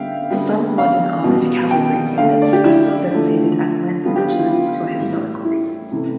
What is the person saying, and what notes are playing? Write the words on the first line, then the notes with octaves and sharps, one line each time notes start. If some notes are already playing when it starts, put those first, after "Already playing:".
Some modern armored cavalry units are still designated as lancer regiments for historical reasons.
Already playing: D3 G3 B3 E5 F5 G5
D3 G3 B3
F5
B2 G3 B3
G5
D3 A3 F5
D5
G4
E4
D3 F3 A3
D3 G3 B3 F4
G4
F4
E4
F4
A2 E3 G3
E4
C3 E3 A3